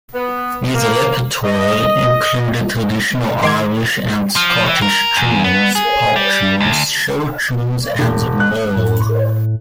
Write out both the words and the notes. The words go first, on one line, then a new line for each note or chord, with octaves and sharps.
His repertoire included traditional Irish and Scottish tunes, pop tunes, show tunes, and more.
B3
A#3
D#5
D#3 C6 D6 G#6
F3
E3
A#4
E2
B3
G#4
G3
D2
E1
F#6
A2